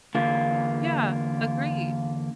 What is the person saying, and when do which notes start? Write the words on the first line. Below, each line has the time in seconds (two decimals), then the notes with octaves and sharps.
Yeah, agreed.
0.15 E2 D3 A#3 F4